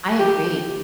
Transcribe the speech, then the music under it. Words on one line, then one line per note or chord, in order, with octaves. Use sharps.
I agree.
G4